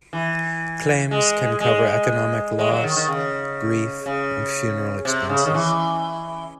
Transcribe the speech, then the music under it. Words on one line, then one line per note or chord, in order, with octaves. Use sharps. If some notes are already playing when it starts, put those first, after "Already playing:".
Claims can cover economic loss, grief, and funeral expenses.
E3
G#3
G#3
G#3
F#3
D#3
D#3
C#3
C#3
C3
C#3
D#3
E3